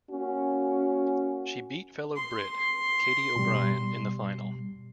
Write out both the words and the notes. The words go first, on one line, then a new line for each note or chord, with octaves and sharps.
She beat fellow Brit, Katie O'Brien, in the final.
A#3 C#4 F#4
C6
B2 G3